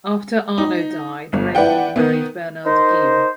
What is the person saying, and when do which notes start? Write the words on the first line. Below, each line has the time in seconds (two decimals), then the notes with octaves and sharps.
After Arnaud died, Raymonde married Bernard Guilhou.
0.58 D#4
1.33 G1
1.55 E4 B4 D5 F#5 G5
1.96 D#3 B3
2.65 D#4 A#4 C5